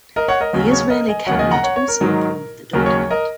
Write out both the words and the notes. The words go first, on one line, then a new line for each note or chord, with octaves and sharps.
The Israeli Cabinet also approved the document.
A#4 D#5
C#5 F#5
A#4 D#5
D#2 C#3 F#3
C#5
A#4 D#5
D#5 G#5
D#2 C#3 F#3 C#5 F#5
D#5 G#5
F#5 A#5
C#5 F#5
C#5
A#4
G#2 D#3 F#3
D#2 C#3 F#3 A#4
C#5
C#5
A#4 D#5